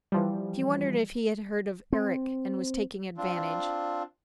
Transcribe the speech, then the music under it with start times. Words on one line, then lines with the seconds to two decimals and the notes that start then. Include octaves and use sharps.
She wondered if he had heard of Erik, and was taking advantage.
0.12 E3 F3 G3
1.93 C4
3.17 C4 D4 F4